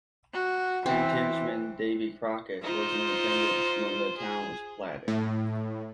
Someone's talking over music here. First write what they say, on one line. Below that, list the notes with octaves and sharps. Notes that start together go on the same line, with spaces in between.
Frontiersman Davy Crockett was in attendance when the town was platted.
F#4
E3 C4
D#4 F4 C5
G#4
A2